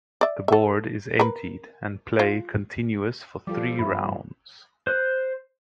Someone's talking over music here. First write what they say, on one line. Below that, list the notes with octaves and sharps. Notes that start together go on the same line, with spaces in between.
The board is emptied and play continues for three rounds.
D5 E5
A4 E5
A#4 B4
F4
F3 G3 F4 A4 D6
G2 A#3 E5 B5
C5 F#6